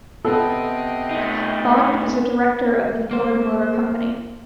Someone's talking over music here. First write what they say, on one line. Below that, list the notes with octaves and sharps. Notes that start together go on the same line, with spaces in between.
Bond was a director of the Ford Motor Company.
C3 B3 C4 A4 D#5
A3 D#4
A#3 C5